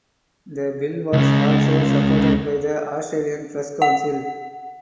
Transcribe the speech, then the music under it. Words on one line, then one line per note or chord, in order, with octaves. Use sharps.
The bill was also supported by the Australian Press Council.
C#2 C#3
F#5